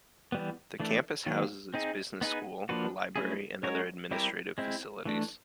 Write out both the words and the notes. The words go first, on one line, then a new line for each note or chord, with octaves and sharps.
The campus houses its business school, a library, and other administrative facilities.
E3 G3 B3
E3 A3 D4
D#3 F#3 A#3
C4 D#4 G#4
B3 D#4 G#4 B4
F3 A#3 D4 F#4 B4
F#3 A3 C#4 E4 G#4
G#3 C#4 F#4 A#4 C#5
G3 C4 E4 G4 A#4
G#3 C4 E4
E3 A3 D4